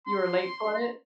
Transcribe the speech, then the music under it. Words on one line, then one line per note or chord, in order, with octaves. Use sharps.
You were late for it?
C6